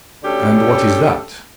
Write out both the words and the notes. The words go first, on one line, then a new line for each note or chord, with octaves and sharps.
"And what is that?"
D2 D3 C#4 G4 A4